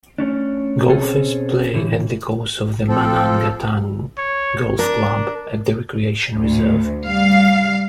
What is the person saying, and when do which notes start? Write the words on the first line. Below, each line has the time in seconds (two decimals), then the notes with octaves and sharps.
Golfers play at the course of the Manangatang Golf Club at the Recreation Reserve.
0.18 A3 C#4 D4
0.88 B2 C4 C#4 G#4 A4
1.74 A2 D3 E3
2.88 F3 C4 A4
4.18 C#5
4.79 D4 A#4
6.38 D2
7.05 G3 F5